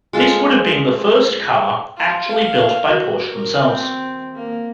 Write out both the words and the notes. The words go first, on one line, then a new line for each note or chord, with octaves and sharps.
This would have been the first car actually built by Porsche themselves.
G#3 F4 A4
F4
F5
F#4
A#4
C4
A#3